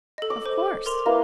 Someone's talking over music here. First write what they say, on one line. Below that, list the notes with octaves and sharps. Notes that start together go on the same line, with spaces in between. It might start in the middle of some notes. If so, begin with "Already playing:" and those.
Of course.
A4 D#5
D6
C5
A#4 C6 F7
A#3 E4 B4 D#5